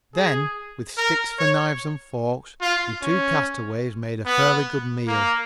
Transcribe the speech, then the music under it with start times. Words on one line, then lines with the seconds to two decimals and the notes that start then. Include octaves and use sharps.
Then, with sticks for knives and forks, the two castaways made a fairly good meal.
0.15 G#4
0.98 A#4
1.39 C#5
2.61 F4
3.02 C#4
4.26 B3
5.07 A#3